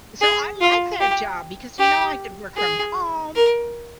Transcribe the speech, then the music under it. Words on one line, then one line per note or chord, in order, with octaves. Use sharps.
So, I like that job because, you know, I could work from home,
G#4
F4
G4
G4
G#4
A#4